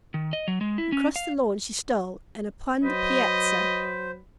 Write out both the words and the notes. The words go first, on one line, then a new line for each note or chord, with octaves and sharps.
Across the lawn she stole, and upon the piazza.
D#3
D#5
F#3
G#3
E4
C#4
F5
F#3 B4 C5 D#5